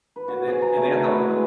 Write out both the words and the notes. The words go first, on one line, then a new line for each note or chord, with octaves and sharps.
and they and they had the
B4
F#4
G#4
A#5
A3
C#6
B4
E4
G#3